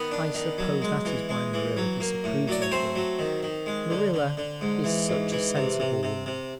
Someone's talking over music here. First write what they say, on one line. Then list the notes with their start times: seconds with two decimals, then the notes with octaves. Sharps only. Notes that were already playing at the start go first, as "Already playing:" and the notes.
I suppose that is why Marilla disapproves of them. Marilla is such a sensible woman.
Already playing: D#3 B3 B4
0.11 D4
0.34 D#3
0.58 F#3
0.82 G#3
1.05 E3
1.29 G#3
1.53 E3
1.77 F#3
2.00 A#3
2.24 A2
2.48 F#3 D5
2.62 C#5
2.71 A3 C4 C5
2.95 F#3
3.19 D#3
3.43 D#3
3.66 G#3
3.90 D3
4.14 D3
4.37 D3
4.61 G#2
4.84 E3
5.09 G#2
5.32 E3
5.56 C3
5.80 C3
6.03 C3
6.26 C3